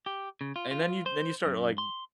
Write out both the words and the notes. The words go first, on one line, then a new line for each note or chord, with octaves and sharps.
And then you then you start, like,
G4
C#3
F4
F4
C5
F#2
C6